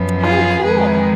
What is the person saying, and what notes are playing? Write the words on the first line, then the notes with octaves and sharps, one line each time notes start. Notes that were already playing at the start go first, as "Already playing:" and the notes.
Oh, cool.
Already playing: F#2 F3 B3
F4 G#4
F2 D#3 G#3 G#4 B4